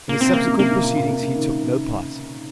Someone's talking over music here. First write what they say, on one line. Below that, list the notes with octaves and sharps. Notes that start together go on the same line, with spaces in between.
In the subsequent proceedings he took no part.
A#2 A#3
C3 C4
C#3 A#3
C3
C3 A#3
C3
A#2
A#2
C3
C#3
D#3